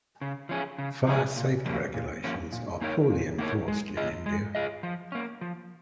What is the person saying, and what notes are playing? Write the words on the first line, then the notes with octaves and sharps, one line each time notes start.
Fire safety regulations are poorly enforced in India.
C#3
F3 C#4 G#4
C#3
F3 C#4 G#4
A#2
F3 A#3 C#4
A#2
F3 A#3 C#4
A#2
A#3 D#4 A#4 C#5
A#2
A#3 D#4 A#4 C#5
G#3
F4 G#4 D#5
G#3
F4 G#4 D#5
F3
A#3 C#4
F3